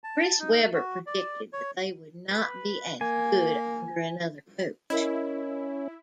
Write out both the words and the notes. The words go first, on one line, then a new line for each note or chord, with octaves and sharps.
Chris Webber predicted that they would not be as good under another coach.
A5
D#4
F#4
D5
C#5
B4
A#3 G#5
C#4 E4 A#4 D#5